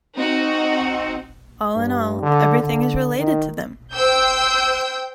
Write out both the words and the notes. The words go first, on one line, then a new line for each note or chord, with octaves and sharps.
All in all, everything is related to them!
C4 D#4 F#4
G2
D3
D3
D#3
C5 G5 E6 G6